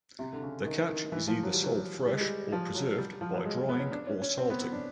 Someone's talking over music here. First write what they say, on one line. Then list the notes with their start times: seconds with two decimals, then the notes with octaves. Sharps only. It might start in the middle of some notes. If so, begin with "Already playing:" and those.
The catch is either sold fresh or preserved by drying or salting.
0.19 C3
0.33 D3
0.43 C#3
0.66 D#3
0.89 D#3
1.12 E3
1.28 F3
1.43 F#3
1.54 G3
1.64 F#3
2.06 G3
2.14 G#3
2.21 G3
2.52 F3
2.75 F#3
2.98 G3
3.21 F3
3.34 F#3
3.45 G#3
3.69 B3
3.79 C#4
3.92 D4
4.07 C#4
4.22 C#4
4.38 C4
4.50 B3
4.61 B3
4.72 D4